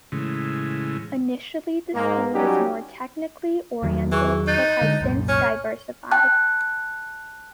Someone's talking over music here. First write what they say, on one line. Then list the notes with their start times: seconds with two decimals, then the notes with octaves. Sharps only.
Initially the school was more technically oriented but has since diversified.
0.12 A2 C#3 E3 G#3
1.93 G#2 A#3
2.33 F#3 G3 C#4 D#4 F#4 G4
3.82 E2 D#3 F#3
4.12 E3 G#4 C#6
4.47 D#4 F#6 G6 A6
4.81 D3 G#3
5.00 C2 F#2 A#2
5.29 C#4 C#6 F6
6.11 G5 A5 F#6